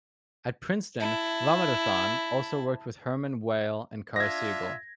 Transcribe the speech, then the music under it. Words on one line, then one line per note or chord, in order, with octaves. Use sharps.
At Princeton, Ramanathan also worked with Hermann Weyl and Carl Siegel.
E4 A5
D4 F4 E5 G#6 A#6